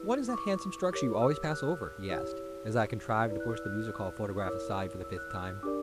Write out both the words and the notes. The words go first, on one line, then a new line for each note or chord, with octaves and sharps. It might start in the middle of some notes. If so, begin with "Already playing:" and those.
"What is that handsome structure you always pass over?" he asked, as I contrived to push the music-hall photograph aside for the fifth time.
Already playing: E4 G4 B4 E6
D6
C#6
G4 A#4 C#5 D6
E6
F#6
E4 G4 C#5 E6
E4 B4 D5
F#6
E6
F#6
E6
D6
E4 A#4 C#5 E6
E6
F#6
E6
D4 G4 A#4 D5 D6